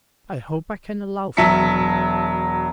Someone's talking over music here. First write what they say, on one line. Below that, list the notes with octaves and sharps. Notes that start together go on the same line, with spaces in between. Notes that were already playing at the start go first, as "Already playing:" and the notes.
I hope I can allow for him.
E1 F#3 E5 A5 B6 C#7